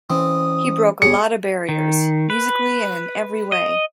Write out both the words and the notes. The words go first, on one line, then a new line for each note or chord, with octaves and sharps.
He broke a lot of barriers, musically and in every way.
E3 C4 C#4 D#6
G1 D3 B3 G#4 C#5 C#7
D#3
B4
D#5